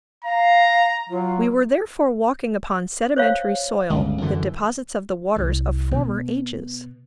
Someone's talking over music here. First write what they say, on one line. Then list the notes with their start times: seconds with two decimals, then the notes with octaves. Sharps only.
We were therefore walking upon sedimentary soil, the deposits of the waters of former ages.
0.24 F5 A#5
1.09 F#3 F4
3.16 C5 C#5 F5
3.90 G1 C#2
4.21 F#2 D3 E3
5.36 C2
5.92 B2